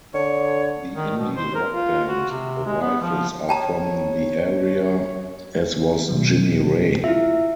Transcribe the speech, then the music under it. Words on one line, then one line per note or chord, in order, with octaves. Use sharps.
The indie rock band The Rifles are from the area as was Jimmy Ray.
D3 C#5
D#3
B2
C5
A#4
F4
F#4
C3
G#3
B3
F3
C#5 G5 A5 A#5
B2 D#3 F#3
E4 F4 E5